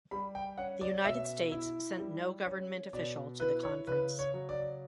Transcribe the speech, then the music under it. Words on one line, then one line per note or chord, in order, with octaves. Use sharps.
The United States sent no government official to the conference.
G3 B5
G5
C#4 F#5
D5
B2 E5
E4
G3
C#4
B2 D5
E4 B4
C#5
C#3 B4
C#5
F#3
D5